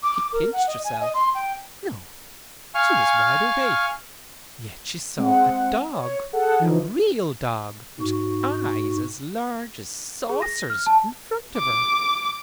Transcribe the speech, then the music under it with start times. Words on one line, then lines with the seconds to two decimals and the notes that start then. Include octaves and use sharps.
She pinched herself.--No, she was wide awake, yet she saw a dog, a real dog with eyes as large as saucers, in front of her.
0.03 D6
0.15 D6
0.33 A#4
0.53 F#5
0.67 D#5
0.85 G#5
1.01 D#5
1.14 C6
1.35 G5
2.75 F5 G#5 C#6 F6
5.18 G#3 C4 F#5
5.91 C#5
6.33 G#4 A4 F#5
6.59 E3 F3 D#4
8.01 G#2 F#4
10.29 G#4
10.42 A#6
10.70 F6
10.86 A5
11.57 D6